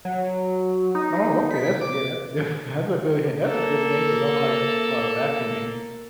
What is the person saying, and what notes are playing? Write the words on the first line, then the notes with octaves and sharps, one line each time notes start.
Oh, okay, that's yeah, that's def that's a good han that's a good thing 'cause I don't like, uh, vacuuming.
F#3
D#4
B6
D6
A#3 A4